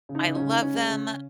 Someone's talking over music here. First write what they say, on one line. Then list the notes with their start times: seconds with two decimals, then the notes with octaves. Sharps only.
I love them,
0.09 C#3
0.15 D#4
0.25 C#3
0.36 C#4
0.41 C#3
0.49 D#4
0.58 C#3 C#4
0.74 G#3
0.90 C#3
1.06 C#3